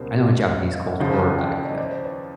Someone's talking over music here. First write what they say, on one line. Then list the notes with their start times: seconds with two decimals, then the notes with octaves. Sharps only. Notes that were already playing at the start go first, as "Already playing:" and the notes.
I know in Japanese culture or, like, uh
Already playing: C#2 B2 G3 B3 A#4 C5
0.61 B4 C#5
0.68 E5
0.73 D#5 F5
0.87 E5 F#5
1.00 D#2 C#3 F3 F5 G5
1.19 F#5 G#5
1.39 G5 A5
1.52 D5 E5
1.65 C#5 D#5
1.78 C5 D5
1.91 C5 D5
2.04 B4 C#5